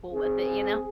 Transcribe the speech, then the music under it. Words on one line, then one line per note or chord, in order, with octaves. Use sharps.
full with it, you know?
C4 G#4